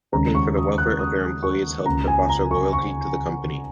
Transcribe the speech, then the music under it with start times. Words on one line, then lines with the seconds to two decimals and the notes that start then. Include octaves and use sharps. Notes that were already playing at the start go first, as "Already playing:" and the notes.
Working for the welfare of their employees helped to foster loyalty to the company.
0.13 D#2 C#3 G#3 C#4 A#5
0.35 C#6
0.56 D#6
0.78 F#6
0.99 D#6
1.43 C#6
1.86 C#2 C#3 A#3 A#5
2.08 G#5
2.29 A#5
2.51 C#6
2.73 C#6